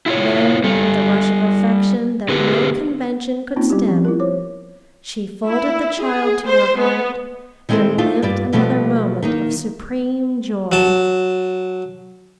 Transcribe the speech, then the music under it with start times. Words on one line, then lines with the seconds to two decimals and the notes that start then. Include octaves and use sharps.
Then with a rush of affection that no convention could stem, she folded the child to her heart and lived another moment of supreme joy.
0.06 E4 F4 A#4 C#5
0.64 G3 A4
2.29 D3 B3 G4 G#4 A#4 B4
3.56 A#3 C4 C#4 D#4 F4
3.70 G3 B3 E4 G4
3.89 F3 C4
4.05 E4 F4 A#4
4.20 F3 C5 C#5 D6
5.47 E4
6.01 G#4
6.46 C5
6.78 B3
7.69 D#3 G#3 C4 E4 A4 C5
7.98 A3 C4 D4 D#4 F4
8.22 G2 G3 F4 D5
8.53 B2 F3 G3 A3 C4
9.22 D#3 A#3 D#4
10.72 F#3 A5